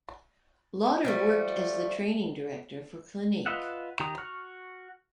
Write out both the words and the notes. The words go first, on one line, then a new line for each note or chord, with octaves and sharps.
Lauder worked as the training director for Clinique.
F3 G3 A3
F4 B4 D#5 E5 F#5
D#3 G4 A#5 D#6
F#4 C#6 F6